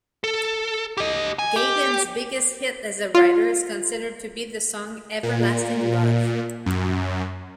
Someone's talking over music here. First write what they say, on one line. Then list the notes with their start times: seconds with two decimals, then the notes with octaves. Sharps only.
Gayden's biggest hit as a writer is considered to be the song "Everlasting Love".
0.24 A4
0.97 G4 D#5
1.39 G#5
1.56 G4
3.15 F4
5.23 A#2
6.66 F#2